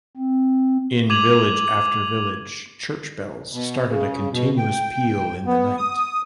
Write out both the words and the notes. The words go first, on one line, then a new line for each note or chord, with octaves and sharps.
In village after village, church bells started a continuous peal in the night.
C4
D6 G#6 D#7 F7 F#7
B2
C#3
B2
G5
B3
D#6